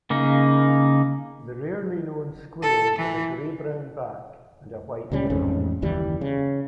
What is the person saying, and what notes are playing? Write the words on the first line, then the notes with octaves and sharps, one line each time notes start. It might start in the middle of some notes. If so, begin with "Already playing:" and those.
The rarely known squirrel has a grey-brown back and a white belly.
C#3 A#3 D#4
A4
E3
C#2 A#2 G3 C#4
A1 F2 G#2 C#4
F#1 D#2 E3 G3
C#3